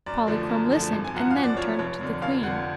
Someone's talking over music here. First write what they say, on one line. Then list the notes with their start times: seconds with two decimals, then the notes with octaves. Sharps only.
Polychrome listened and then turned to the Queen.
0.06 F#2 D5
0.27 D3 F3 A3 D4
0.49 F#2
0.70 D3 F3 A3 D4
0.92 G#1
1.04 G#5
1.14 F#2 F3 F#5
1.31 F5
1.36 G#1
1.44 D5
1.57 F#2 F3 C#5
1.79 F1 C#5
2.01 F2 D3
2.22 F1 F5
2.43 F2 D3 F#5